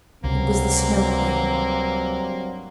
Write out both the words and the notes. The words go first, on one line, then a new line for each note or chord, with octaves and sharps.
It was the Snow Queen.
C#2 G2 C3 F#3 A#3 C4